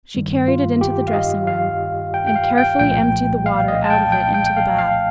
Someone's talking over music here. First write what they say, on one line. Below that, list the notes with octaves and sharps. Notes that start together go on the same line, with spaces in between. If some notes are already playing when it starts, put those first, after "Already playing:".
She carried it into the dressing-room, and carefully emptied the water out of it into the bath.
G2 D#3 G3
F4
G4
F5
D#5
F5
G5
G5
F5
G5
C2 A#2 F3 A3 G5
F5
D#5
A5
G5
G5
G5
G5
F5
F5